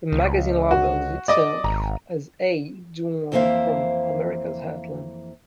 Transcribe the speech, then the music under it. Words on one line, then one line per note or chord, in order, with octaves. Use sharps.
The magazine labels itself as A Journal from America's Heartland.
C#2
F#4
D5 D#5 D6
G#1 A#5
F2 E3 A#3 C5 E5 F5